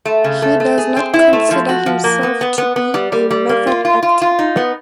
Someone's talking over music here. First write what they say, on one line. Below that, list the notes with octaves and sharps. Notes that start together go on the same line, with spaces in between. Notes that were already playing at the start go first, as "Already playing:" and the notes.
He does not consider himself to be a method actor.
A3
C#3
A3
A3
G#4
C4
E4
A3
F3
F#4
F3
A#3
B3
B3
B3
B3
G3
G3
G3
A#3
F4
F4
F4
F4
D#4
B3